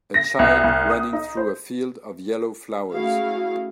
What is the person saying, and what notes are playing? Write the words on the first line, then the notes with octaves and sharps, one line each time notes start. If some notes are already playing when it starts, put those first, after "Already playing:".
A child running through a field of yellow flowers.
A#6
C2
C2
D#6
D#4
C5
A3 C#4 E4 F#4 G#4 F5